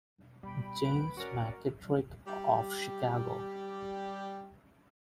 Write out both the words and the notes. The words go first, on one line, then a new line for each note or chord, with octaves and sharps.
James McKittrick, of Chicago.
E1 D#2
B2 G3 G5 B5
D2 B4 D7
G#1 G#2 C#4 F#4 A#4 D5
G3 G4